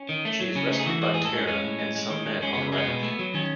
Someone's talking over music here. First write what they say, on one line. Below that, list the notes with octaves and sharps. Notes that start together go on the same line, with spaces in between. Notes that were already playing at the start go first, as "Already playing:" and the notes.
She is rescued by Tara and some men on a raft.
Already playing: C#4
D#3
A3
F#3
C#3 C#4
A3 D#4
G#4
E3 F#4
G#3 F#4
A2 G#4
A4
G#3 C#4
G#3 C#4
A2
G#3
G#3
D#3
G#3
G#3 C#4
C#3 B3
G#3
B3
B2
A3
F#3
D#3 C#4